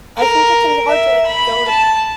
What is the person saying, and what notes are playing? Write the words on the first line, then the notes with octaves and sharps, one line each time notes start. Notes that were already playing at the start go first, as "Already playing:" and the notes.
I think it can be hard to, like, go to
A#4
E5
B5
A5